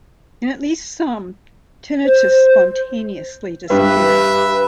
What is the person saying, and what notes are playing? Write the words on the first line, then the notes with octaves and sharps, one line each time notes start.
In at least some, tinnitus spontaneously disappears.
C5
G2 G4 B4 E5